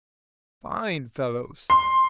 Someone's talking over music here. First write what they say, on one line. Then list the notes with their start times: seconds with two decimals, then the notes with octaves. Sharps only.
Fine fellows!'
1.70 C6